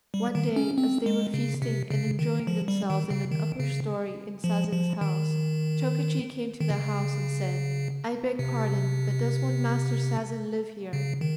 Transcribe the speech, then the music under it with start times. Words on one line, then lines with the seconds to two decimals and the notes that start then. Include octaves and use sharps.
One day, as they were feasting and enjoying themselves in an upper storey in Sazen's house, Chokichi came to the house and said, "I beg pardon; but does one Master Sazen live here?"
0.14 G3
0.35 D#3
0.56 C#4
0.78 C4
1.06 G#3
1.34 C#3
1.62 C3
1.90 C#3
2.19 D#3
2.47 F3
2.68 G3
2.90 D#3
3.10 C#3
3.31 D#3
3.60 C#3
4.44 F3
4.73 F3
5.01 D#3
6.61 D#3
6.70 C#3
8.39 C3
10.93 C#3
11.21 D#3